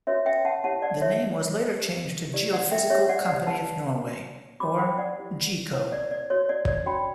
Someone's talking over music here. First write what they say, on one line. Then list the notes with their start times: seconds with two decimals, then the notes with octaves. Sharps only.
The name was later changed to Geophysical Company of Norway or Geco.
0.07 C#4 F#4 B4 C#5 E5
0.26 E5 G5
0.45 F#5 A5
0.64 C#4 E4 G4 C#5 F#5 A5
0.82 D5 F#5
1.01 C#5 E5
1.20 C#4 E4 B4
1.77 C#4 G4 B4
2.33 E4 G4 C#5 D5
2.53 D5 F#5
2.71 E5 G5
2.90 D4 G4 C#5 E5
3.09 D5 F#5
3.28 D5 F#5
3.46 E4 B4 F#5 A5
4.03 D4 F#4 C#5
4.60 F#4 A4 C#5 B5 D6
4.79 G5 B5
4.98 D5 F#5
5.17 E4 G4 B4
5.73 E4 B4 C#5
5.92 D5
6.11 D5
6.30 F#4 C#5
6.49 D5
6.68 D5
6.86 D4 F#4 C#5 G5 B5